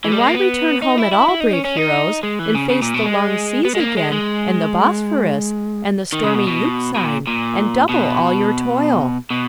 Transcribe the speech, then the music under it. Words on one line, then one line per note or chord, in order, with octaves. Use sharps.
And why return home at all, brave heroes, and face the long seas again, and the Bosphorus, and the stormy Euxine, and double all your toil?
E3
G3
G#3
A#3
B3
D#4
E4
E4
E4
D#4
C#4
C#4
D#4
G#3
E3
C#3
C#3
A#2
B2
G#3
B3
G#3
A#3
G#3
G#3
D#3
C#3
B2
B2
B2
A#2
A#2
B2
B2